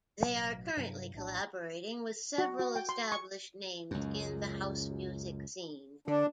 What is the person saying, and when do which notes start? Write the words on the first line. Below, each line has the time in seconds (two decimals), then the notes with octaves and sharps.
They are currently collaborating with several established names in the house music scene.
0.20 A1 G2 B2 F#3
0.77 G2 C3 F#3
1.13 A#1 A2 C3 D4
2.38 F#4
2.59 F#4
2.76 G5
2.89 C6
3.12 C#6
3.91 C#2 F#2
6.08 D3 D4